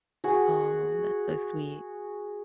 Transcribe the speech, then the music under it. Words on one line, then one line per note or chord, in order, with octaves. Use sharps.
Oh, that's so sweet.
F#4 G#4